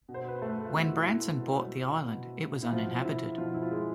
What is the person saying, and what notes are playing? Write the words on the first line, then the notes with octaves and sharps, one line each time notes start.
When Branson bought the island, it was uninhabited.
B2
C5
B4
A3 A4
F4
B2 E4
B2
B2
E4
B2 F3 F4
E4
B2 F3 F4
E4
F4
G#3 G#4